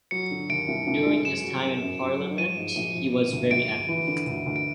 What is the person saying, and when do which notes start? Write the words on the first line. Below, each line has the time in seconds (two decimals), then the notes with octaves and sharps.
During his time in Parliament he was very active.
0.11 F#3 C#7
0.31 D3
0.49 D#2 D7
0.68 C2
0.87 C2
1.06 G#3
1.24 F#2 E7
1.44 F#3
1.62 F#1
1.81 F#2
2.00 F#2
2.19 F#3
2.38 F3 D#7
2.57 G#2
2.76 A#1
2.94 F3
3.13 C3
3.32 D2
3.51 A#1 D7
3.69 A#1
3.88 E3
4.08 D3
4.26 D2
4.45 D2
4.56 D7